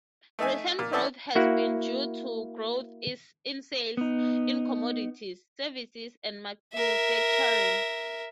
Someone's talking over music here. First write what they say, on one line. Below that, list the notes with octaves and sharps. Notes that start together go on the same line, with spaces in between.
Recent growth has been due to growth in sales in commodities, services, and manufacturing.
A3 D#4 E5 G#5
A#2
C4 C#4 E4 A4 D5
A#3 E4 F#4 F#5
B3 D#4
A#4 E5